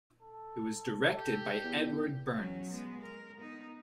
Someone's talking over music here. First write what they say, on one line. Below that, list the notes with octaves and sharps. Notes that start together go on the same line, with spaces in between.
It was directed by Edward Bernds.
A4
G4
E2
F#3 C#4
G#3 B3
A#4
B3 D#4